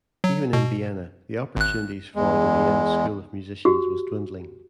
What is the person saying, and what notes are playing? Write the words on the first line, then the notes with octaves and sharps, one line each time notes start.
Even in Vienna, the opportunities for the Vienna School of musicians was dwindling.
F#3
B2
G#1 F#6
E2 G#3
F#4 G4